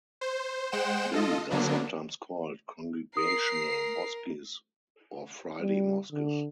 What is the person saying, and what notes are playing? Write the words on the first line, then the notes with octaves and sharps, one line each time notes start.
These are sometimes called Congregational mosques or Friday mosques.
C5
G#3 C5 F#5 G5 E7
F4 A4 D#5
D3 F#3 A#3 B3 D4
A#4 D#6 C7
G3
D3